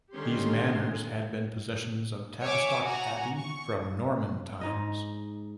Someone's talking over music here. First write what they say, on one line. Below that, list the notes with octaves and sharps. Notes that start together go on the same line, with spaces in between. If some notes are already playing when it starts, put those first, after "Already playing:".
These manors had been possessions of Tavistock Abbey from Norman times.
D3 D#3 G3 C#4 G4 C6
C#5 E5 G#5 C#6 D6
F#4 F#5 G#5 A#5
C#6
G#2 D#4 D#5